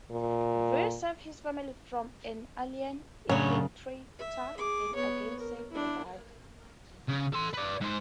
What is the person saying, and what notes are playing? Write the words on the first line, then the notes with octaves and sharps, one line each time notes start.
Veer saves his family from an alien infiltrator and again saves Mumbai.
A#2
F#2 A2 C#3 F#3 D4 C#5
E5
G#4 D6
B3 C#5
A#4
D4 E4
C#3
A4 C6
B4 D5
G#2 C5